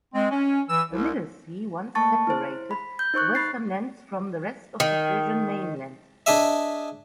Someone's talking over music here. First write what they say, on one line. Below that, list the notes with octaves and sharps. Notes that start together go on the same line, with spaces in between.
The Middlesee once separated the western lands from the rest of the Frisian mainland.
G#3 C4
C#4
E3 E6
C2
A3 A#3 A5 C#6 A6
E4 C5
B5
G6
D#4 C5 C#6 F#6
B5 A6 C7
D#3
D4 G#4 D#5 E5